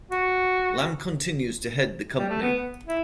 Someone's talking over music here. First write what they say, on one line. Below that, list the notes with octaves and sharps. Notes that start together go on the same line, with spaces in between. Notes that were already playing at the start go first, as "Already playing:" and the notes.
Lam continues to head the company.
F#4
G3
A3
B3
E4